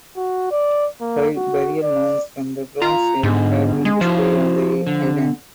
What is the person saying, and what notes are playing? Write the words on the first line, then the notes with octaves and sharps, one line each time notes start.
Five burial mounds from the Bronze Age have been discovered on the island.
F#4
D5
A#3
F#4
D5
F4 A#5
G#2 D3 B3
G#3
F3 E4 F#4 C5
D3